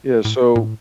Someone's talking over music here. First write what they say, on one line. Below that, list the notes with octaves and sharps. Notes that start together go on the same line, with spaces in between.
Yeah, so
A2
A2